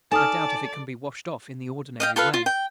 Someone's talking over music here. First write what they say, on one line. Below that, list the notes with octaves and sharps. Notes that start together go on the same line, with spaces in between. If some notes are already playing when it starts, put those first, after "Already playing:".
I doubt if it can be washed off in the ordinary way.
D#4 A4 D5 G#5 A5 D#6 F6
D#5 F5 G5
F4 A4 B4 F5
F4
G5